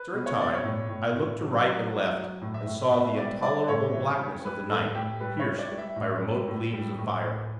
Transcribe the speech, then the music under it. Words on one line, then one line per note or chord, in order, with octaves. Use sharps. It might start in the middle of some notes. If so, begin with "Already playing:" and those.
After a time, I looked to right and left, and saw the intolerable blackness of the night, pierced by remote gleams of fire.
Already playing: B4
B2
C#5
B2 D5
C#5
A2
A2
A2
F#3
F#3
F#3
F#3
A2
E5
A2
B2 E5
G3 D5
G3 D5
A2 C#5
E3
G3
G3 B4
A2 A4
A2 G4
G3 B4
C#5
G3
D5
G3
E5
A2
G3
A2
G3
A2
A2